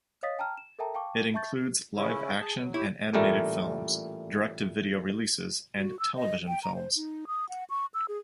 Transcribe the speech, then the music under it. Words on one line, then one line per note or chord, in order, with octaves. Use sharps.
It includes live action and animated films, direct-to-video releases, and television films.
C#5 D#5 F5 D#6 A6 B6
G5 A5 A#5 F6
E7
A4 A#4 E5 G5 A5 A#5
F5 G5 A5 C#6 D6
E5 A5 C#6 G6 A6
C#3 C#4 E4
G#4 A5
F#3
D#2 E4 G4 C#5
A1 A#2 G3 A3 A#4
F#4
E6
D#5
G5
A#5
C5
D#4
D#6
F#5
C#6
E6
G#4